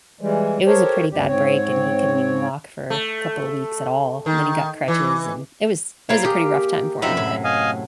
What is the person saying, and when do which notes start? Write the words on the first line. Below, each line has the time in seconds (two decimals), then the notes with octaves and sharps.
it was a pretty bad break, and he couldn't even walk for couple of weeks at all. Then he got crutches, and it was it was a pretty rough time for him, but
0.21 E3 G3 G#3
0.66 G4 A4 A#4 C5 C#5
1.11 D2 G2 C3 G3 G4
1.26 G#2 C4 C#5
2.90 A3
4.26 D#3
4.88 E3
6.09 A#3 E4 F4 C5 D5
6.24 G4 G#4 A#4 D#5
7.02 F#2 C3 F#3 D#4 F4 G4 E5 B5
7.17 A2
7.44 D#5 F5 G#5